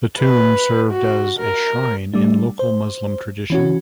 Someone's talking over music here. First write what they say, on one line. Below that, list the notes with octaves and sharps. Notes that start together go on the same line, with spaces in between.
The tomb served as a shrine in local Muslim tradition.
B4
F#4
A#4
G3 A3 D4
C5
E3 C#4 F#4